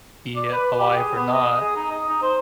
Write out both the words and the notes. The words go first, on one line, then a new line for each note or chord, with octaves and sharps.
be it alive or not,
D5
B4
G4
G#4
B3
D#5
G#4
D#4
D#5
D#4
C5